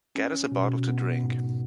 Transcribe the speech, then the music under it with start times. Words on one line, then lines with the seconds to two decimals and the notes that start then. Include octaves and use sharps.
Get us a bottle to drink.
0.15 C#4
0.52 B2
0.87 B3
1.23 G#2